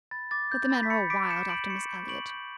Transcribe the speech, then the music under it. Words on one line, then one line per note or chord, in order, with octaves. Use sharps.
But the men are all wild after Miss Elliot.
B5 A6
D6 A6
G6
B5 A6
B6
B5 A6 C#7
D6 B6 D7
G6 C#7 E7
G6 D7 F#7
C#6 C#7 E7
G6
C#6 D7 F#7
G6